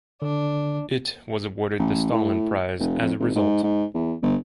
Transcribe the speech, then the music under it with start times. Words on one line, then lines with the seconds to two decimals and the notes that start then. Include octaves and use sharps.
It was awarded the Stalin Prize as result.
0.22 D3 D4
1.79 A1
2.12 A2
2.79 F1
3.00 F2
3.20 G#1
3.35 G#2
3.63 G#2
3.94 E2
4.22 G1